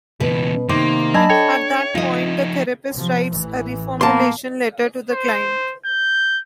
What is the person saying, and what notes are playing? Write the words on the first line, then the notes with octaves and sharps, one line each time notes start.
At that point the therapist writes a reformulation letter to the client.
C#2 B2 E3 B4
C3 D#3 A#3 C6 D6
F#3 D4 D#5 G#5 A5 B5 G#6
A4 C#5 G5 G#6
F3 D#4 F4 D#5
C3 F3
A1 E3
A#3 B3 A5 C6
C5
G6